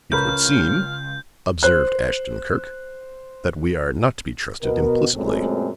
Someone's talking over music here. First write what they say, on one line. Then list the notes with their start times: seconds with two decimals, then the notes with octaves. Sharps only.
"It would seem," observed Ashton-Kirk, "that we are not to be trusted implicitly."
0.12 C#2 C#4 A#4 B4 F6 G6
1.63 C5 F#6
4.62 B2 A#4
5.15 F#2 A#2 G#3 A3 C4